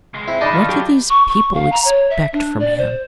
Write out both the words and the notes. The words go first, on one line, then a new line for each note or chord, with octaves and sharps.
What did these people expect from him.
C#2 G#3
C4 E4
D4 D#4 D#5 A5 B5
D#3 F4
F#3 G4
C#6
C#6
F5
A#5
C#5
E5
D4
D5
C5